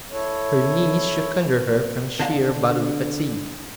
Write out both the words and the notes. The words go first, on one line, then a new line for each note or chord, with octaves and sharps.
Her knees shook under her, from sheer bodily fatigue.
E4 A4 C#5
D3 D4 D#5 F5 A5